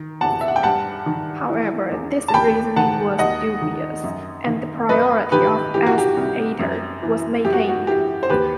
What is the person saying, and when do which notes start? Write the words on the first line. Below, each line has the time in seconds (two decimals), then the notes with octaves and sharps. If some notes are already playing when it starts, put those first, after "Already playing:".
However, this reasoning was dubious and the priority of "S. ater" was maintained.
Already playing: D#3
0.21 E2 F#5 A5
0.41 E5
0.48 F#5
0.56 G5
0.63 G2 F#5 A5
1.06 D#3
1.49 E3
1.91 E2
2.28 A5
2.34 D#2 G5 B5
2.76 D#3 F#5 A5
3.19 D#2 D#5 F#5
3.62 D#3
4.04 F#2
4.47 D#3
4.89 F#2 B4 D#5
5.32 D#3 G4 B4
5.74 E3 G4
5.86 F#4
5.98 G4
6.17 C2
6.59 F#2
7.02 E3
7.45 F#2 G4
7.53 F#4
7.68 F#4
7.87 E3 G4
8.23 C5
8.30 D#2 G4 B4